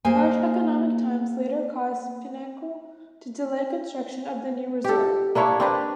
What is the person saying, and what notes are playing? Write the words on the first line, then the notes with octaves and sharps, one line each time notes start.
Harsh economic times later caused Pinnacle to delay construction of the new resort.
A#3 G#4 C5 G#5
G4 A4
A#3 D4 E4 C#5
C4 D4 B4